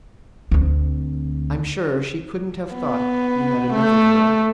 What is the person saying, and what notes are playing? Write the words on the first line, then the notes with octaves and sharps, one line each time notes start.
I'm sure she couldn't have thought you had enough of her.
D2 C4
B3
A3